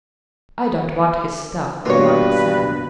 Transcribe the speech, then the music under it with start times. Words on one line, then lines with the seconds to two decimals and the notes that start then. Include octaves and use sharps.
"I don't want his stuff," remarked Sam.
1.85 G2 B2 A#3 F4 B4 C#5